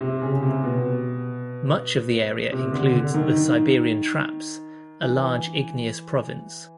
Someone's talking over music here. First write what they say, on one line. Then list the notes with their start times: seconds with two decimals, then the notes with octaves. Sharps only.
Much of the area includes the Siberian Traps-a large igneous province.
0.01 C3
0.22 C#3
0.43 C3
0.64 B2
2.52 C3
2.72 D3
2.93 D3
3.14 D#3
5.02 E3